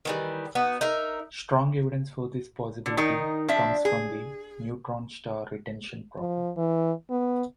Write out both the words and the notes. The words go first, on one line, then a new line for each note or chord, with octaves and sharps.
Strong evidence for this possibility comes from the "neutron star retention problem".
D#3 E3 G3
B3 D#4 F#4
D#4 A#4 E5
D3
D#3 D#4 A#4
F3 D4 E5
G#4
F3
E3
B3